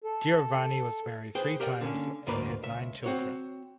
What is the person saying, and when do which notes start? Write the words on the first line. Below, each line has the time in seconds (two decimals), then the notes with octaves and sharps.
Giovanni was married three times and had nine children.
0.04 A4
1.35 G#4 B4 C5 G5
1.60 G4 A#4 D5 D#5 G5
1.81 D3 A#3 C#4
2.27 D2 G#2 A#3 B4 D5 B5
2.63 C#2 E5
3.04 C4 F#4 C#5